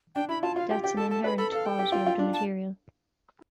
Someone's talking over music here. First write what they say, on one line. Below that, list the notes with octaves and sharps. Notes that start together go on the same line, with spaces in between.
That's an inherent quality of the material.
D4 G5
E4 B5
F4 A5
F4 F5
G4 G5
G4 G5
A4 A5
A4 A5
B4 B5
A4 B5
A4 F5
G5
G4
F4
F4
D4
A5